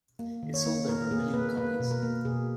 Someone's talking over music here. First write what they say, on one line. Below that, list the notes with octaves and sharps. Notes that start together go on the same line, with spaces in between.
It sold over a million copies.
A#3
D#3
C#5
A#3
A#3 A#4
A#3 G#4
A#3 B4
A#3 B4
B2
A#4
A#3
B2 G#4